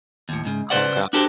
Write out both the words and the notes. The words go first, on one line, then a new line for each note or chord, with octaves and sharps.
Oh gosh.
D#2 A2
G#2 C#3
C#3 G3 B4 C5 D5 F#5
D4 F#4 G4 A4 A#4 C5